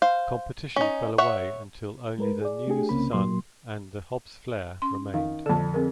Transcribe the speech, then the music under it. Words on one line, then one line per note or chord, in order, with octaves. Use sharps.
Competition fell away until only the News-Sun and the Hobbs Flare remained.
C5 F5
C#4 D#4
C#5 E5 F#5
G#3 A#4 B4
G#4 D5
A3 D4 G4 G#4
C2 C#3 A#3 C4 C#4 B5
A#2 F#3 A#3 C6
C#4 C6
D#3 F5
F2 D3 A4 A5
C4 G#4 A#4